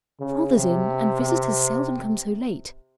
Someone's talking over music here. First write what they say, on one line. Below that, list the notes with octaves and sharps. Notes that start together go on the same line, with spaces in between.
"Father's in and visitors seldom come so late."
C#3
C3
C3